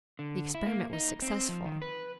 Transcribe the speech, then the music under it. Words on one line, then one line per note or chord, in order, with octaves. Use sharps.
The experiment was successful.
D3
E4
A#3
D#4
C4
F3
D#3
B4